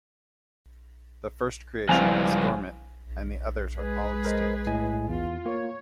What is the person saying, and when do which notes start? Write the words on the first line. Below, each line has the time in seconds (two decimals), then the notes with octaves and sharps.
The first creation is dormant and the others are all extinct.
1.89 C#2 G2 F3 C4 E4 F5 G#5 F7
3.79 G#3 G#4 B4
4.25 A#4 C5 D#5
4.67 A2 D#5 G#5
5.09 E2 F4
5.46 A#3 F4 C#5